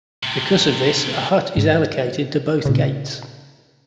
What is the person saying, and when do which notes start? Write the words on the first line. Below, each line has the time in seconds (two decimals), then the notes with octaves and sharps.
Because of this, a hut is allocated to both gates.
0.23 A2 C3
1.57 G#2
2.65 A#2 C#3